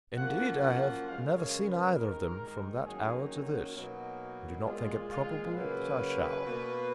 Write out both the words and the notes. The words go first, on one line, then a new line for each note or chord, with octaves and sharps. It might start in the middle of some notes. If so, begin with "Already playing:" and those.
Indeed, I have never seen either of them from that hour to this, and do not think it probable that I shall.
F#2 F3 A#3 F#5
F#5
F#2 C#3 G#3 F5
C#5
B4
G#2 D#3 G#3 A#4
F#2 D#3 F#3 A#3 G#4
F#4
B2 F#3 A#3 D#4
A#2 G#3 F4
F4
C#3 F#3 A#3 B4
B2 A#3